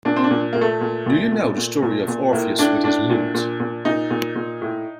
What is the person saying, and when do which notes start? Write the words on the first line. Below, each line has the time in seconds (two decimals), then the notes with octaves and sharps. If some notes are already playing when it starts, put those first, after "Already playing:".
Do you know the story of Orpheus with his lute?
0.05 A#2 D4
0.16 C4
0.24 D4
0.31 A#2
0.53 A#2 A#3
0.61 A3
0.81 A#2
1.06 A#2
1.32 A#2
1.57 A#2
1.82 A#2
2.08 A#2
2.33 A2 A#3
2.59 A2 D4
2.84 A2 D4
3.10 A#2
3.34 A#2
3.60 A#2
3.85 A#2 D#4
4.11 A#2
4.36 A#2
4.62 A2